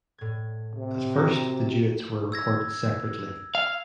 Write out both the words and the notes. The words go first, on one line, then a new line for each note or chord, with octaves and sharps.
At first the duets were recorded separately.
A2 G#6
C3
F#4 G5 A#5
E6 G#6 A#6
F5